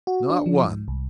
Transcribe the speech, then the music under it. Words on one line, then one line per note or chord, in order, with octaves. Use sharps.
Not one.
F#4
D4
F3
G#2
C2